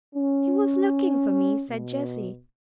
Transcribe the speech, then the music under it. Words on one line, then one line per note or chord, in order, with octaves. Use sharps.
"He was looking for me," said Jessie.
C#4
B2